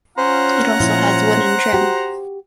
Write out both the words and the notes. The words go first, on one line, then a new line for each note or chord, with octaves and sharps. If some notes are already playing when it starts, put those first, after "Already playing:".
It also has wooden trim.
C#4 F4 C5 F#5 A#5
A#2 F3 E4 C5
F#4 G4